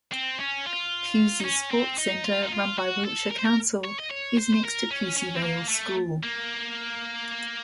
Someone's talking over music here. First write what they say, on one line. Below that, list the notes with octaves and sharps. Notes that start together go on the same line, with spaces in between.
Pewsey Sports Centre, run by Wiltshire Council, is next to Pewsey Vale School.
C4
C#4
F4
D#4
C#4
C4
D#4
F4
D#4
F4
F#4
A4
A#4
C5
A#4
C#5
D#5
C#5
C5
C5
A#4
C#4
C#4
C4
A#3
A3
A#3